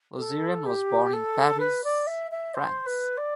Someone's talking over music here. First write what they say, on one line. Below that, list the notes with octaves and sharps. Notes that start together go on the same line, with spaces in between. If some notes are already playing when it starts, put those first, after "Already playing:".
Lusseyran was born in Paris, France.
A4
G4
A4
B4
D5
E5
E5
C5
B4
D5